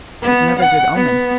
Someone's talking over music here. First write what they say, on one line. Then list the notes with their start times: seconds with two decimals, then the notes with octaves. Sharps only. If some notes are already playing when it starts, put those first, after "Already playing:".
It's another good omen.
0.22 B3
0.59 F#5
0.95 B3